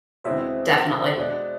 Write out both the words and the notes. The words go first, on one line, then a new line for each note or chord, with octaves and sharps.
M definitely.
E2 B2 G#3 C4 E4 C5 E5
B2 G#3 D4